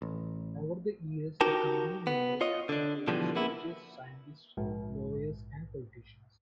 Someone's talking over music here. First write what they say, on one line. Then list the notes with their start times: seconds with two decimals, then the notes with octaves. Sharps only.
Over the years the Company members have included soldiers, scientists, lawyers and politicians.
0.02 A1
1.41 D#4 F#4 G4 A#4 A5
2.07 B3
2.41 F4 C#5 D#5
2.69 D3 D4
3.07 B2 D3 E3 F3 G3
3.35 A#3 B3 E4
4.57 A#1 G#2